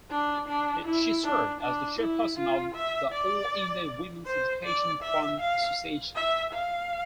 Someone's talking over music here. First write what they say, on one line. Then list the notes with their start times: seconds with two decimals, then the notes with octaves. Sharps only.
She served as the Chairperson of the All India Women's Education Fund Association.
0.11 D4
0.48 D4
0.85 E4
1.24 D4
1.61 D4
1.99 E4
2.37 F4
2.75 E5
3.12 D5
4.26 C5
4.64 D5
5.02 E5
5.40 F5
6.16 E5
6.53 F5